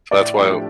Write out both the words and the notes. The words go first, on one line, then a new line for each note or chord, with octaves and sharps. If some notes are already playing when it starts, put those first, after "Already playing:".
so that's why
A2 D5
F3 A3 D4 G4